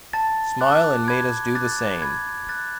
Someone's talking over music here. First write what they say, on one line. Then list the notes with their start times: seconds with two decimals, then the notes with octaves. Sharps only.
Smile and made us do the same.
0.13 A5 A6
0.61 D6 F#6
1.08 B5 G#6
1.55 D6 F#6 A6
2.02 B5 G#6
2.49 F#6 A6